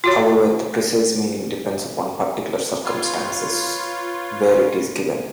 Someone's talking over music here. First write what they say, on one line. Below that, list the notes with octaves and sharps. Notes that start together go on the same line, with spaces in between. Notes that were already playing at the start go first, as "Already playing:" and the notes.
However, the precise meaning depends upon the particular circumstances where it is given.
F4 F#4 C#5
F4 B4 C#5